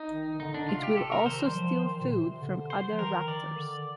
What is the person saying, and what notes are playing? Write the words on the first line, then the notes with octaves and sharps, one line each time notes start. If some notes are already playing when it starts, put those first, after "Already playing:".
It will also steal food from other raptors.
Already playing: D#4
D#3
D#3
D3 D#4
D4
D3
C3 F4
G4
C3 A4
A#4
D#3 C5
C5
G3
F3
D#3
A#2
C3
D3
C5
F3
D#3 A#4
D#3 D5
D3